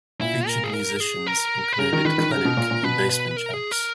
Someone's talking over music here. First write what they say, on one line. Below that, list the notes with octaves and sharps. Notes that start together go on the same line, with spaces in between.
Featured musicians included Clinic and Basement Jaxx.
A#2 E4
A#4
G#4
A#4
G#4
A#4
B4
C#3 A#4
D#3
D#3 B4
D#3
C#3 A#4
B2
A#2
A#2
B2 B4
B4
A#4
G#4
A#4